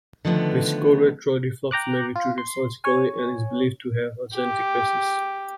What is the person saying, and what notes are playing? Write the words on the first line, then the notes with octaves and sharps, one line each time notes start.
Vesicoureteral reflux may be treated surgically, and is believed to have a genetic basis.
D3 D#3 F3 A3 B3
G5 A#5 D6 F#6
F4
C6
C#5 G#5
G4